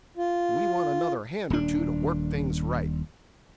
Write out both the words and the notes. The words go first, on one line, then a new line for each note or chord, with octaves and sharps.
We want another hand or two to work things right.'
F4
D#1 D4